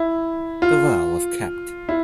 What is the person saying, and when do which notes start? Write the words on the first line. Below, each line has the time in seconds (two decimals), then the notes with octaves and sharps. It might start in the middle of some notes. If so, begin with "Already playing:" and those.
The well was capped.
Already playing: E4
0.62 F4
1.89 E4